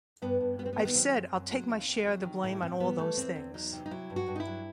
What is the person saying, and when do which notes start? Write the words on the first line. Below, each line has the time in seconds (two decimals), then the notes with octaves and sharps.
I've said I'll take my share of the blame on all those things.
0.22 G2 B3
0.41 G2
0.59 G3 B3
0.66 C4
0.73 B3
0.77 D#3
0.85 B3
0.95 F#3 C4
1.14 F#2
1.33 F#2
1.51 F#3
1.69 D#2
1.88 D#2
2.06 F#3
2.25 D#3
2.43 A2 E4
2.61 A2 C4
2.80 G3 B3
2.98 E3 A3
3.17 E2 C4
3.36 E2
3.54 F#3 D#4
3.72 C3
3.86 D#4
3.91 F#3 E4
4.10 G2
4.16 F#4
4.28 G2
4.36 D#4
4.40 E4
4.47 F#3